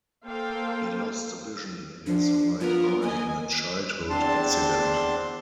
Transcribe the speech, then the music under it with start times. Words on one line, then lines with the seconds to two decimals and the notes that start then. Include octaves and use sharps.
He lost the vision in his right eye in a childhood accident.
0.25 A#3 A4 C5 F5 G5
2.06 F3 D4
2.61 B3 F4 A#4
3.02 A#3 D#5 G#5
4.10 E2 C4 D4 A5 C6